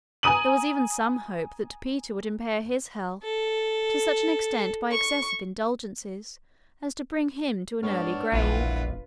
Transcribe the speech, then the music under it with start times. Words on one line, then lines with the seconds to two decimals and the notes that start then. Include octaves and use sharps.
There was even some hope that Peter would impair his health to such an extent by excessive indulgences as to bring him to an early grave.
0.23 G#5 A#5 D#6 D#7 F#7
3.23 A4
4.91 C#6
7.83 G#2 B3 D4 C#5 F6
8.32 E1 A#1 E4 F4 B4 F#5